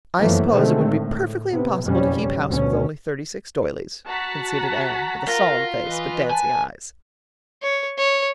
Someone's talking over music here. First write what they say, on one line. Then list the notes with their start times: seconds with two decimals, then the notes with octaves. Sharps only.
"I suppose it would be perfectly impossible to keep house with only thirty-six doilies," conceded Anne, with a solemn face but dancing eyes.
0.18 F1 F#2 E3 F3 A3 A#3
0.50 B2 D3 D#3 G#3 A3 C4
0.86 A2
1.51 C3 B3
1.82 F#1 F2 B2 G3 C#4
2.47 D2 B2 C#4
4.07 F#4 F#5 A5 A#5 B6
5.28 F4 A#4
5.85 E3 B4 D#5
6.30 G#5 A5
7.62 C#5
7.98 C#5